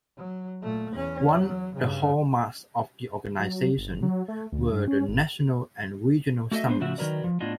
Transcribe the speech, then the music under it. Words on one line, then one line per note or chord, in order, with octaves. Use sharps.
One the hallmarks of the organization were the national and regional summits.
F#3
A#2 A3
E2 C#4
F#3
G2 C#3
F#3
G1
F#3
A3
D2
G2
C#4
G#1
A3 F#4 A4 C#5 D#5 E5
B3 D4 C5
A2 C#3 F3 F#4 E5
D#3 E3 F#3 A#4 B4 D5
F3
A2 B3 D4 E4 F4 D#5